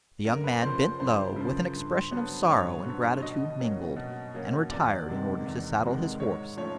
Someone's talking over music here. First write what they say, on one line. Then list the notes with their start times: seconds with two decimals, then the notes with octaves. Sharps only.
The young man bent low, with an expression of sorrow and gratitude mingled, and retired in order to saddle his horse.
0.25 F#2 A#4
0.44 B4
0.62 C#3 F3 C5
0.81 C5
1.00 F#2 C5
1.36 C#3 F3
1.74 G2
2.11 D3 F#3 B3
2.48 G2 C#5
2.85 D3 F#3 B3
3.22 B2 D#5
3.60 F#3 A#3 C#4
3.96 B2
4.34 F#3 A#3 C#4
4.71 E2 D5
5.08 C3 D#3 G#3
5.46 E2
5.83 C3 D#3 G#3
6.20 G#2 C#5
6.57 F3 A3 C#4 C#5